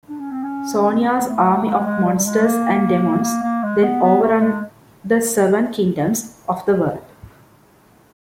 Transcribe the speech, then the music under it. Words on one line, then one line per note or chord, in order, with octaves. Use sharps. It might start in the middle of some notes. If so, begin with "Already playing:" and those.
Sonia's army of monsters and demons then overrun the seven kingdoms of the world.
D4
C#4
C4
C#4
C4
B3
A3
G#3
G#3
G3
G3
G#3
A#3
A#3
A#3
G#3
B3
B3
A3
G#3